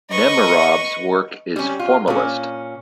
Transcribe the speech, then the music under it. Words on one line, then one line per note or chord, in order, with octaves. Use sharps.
Nemerov's work is formalist.
B4 D#5 C#6
G3 C#4
F4
A#2 C#4